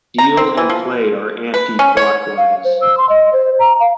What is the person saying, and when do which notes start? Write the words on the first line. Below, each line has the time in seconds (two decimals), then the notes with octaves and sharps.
Deal and play are anticlockwise.
0.18 A#5
0.37 C4
0.57 E3
0.69 F3
1.54 B4
1.79 C#4
1.97 C#5
2.37 F5
2.64 C5
2.81 E6
2.97 C6
3.09 D#5
3.33 C5
3.59 A#5
3.80 F5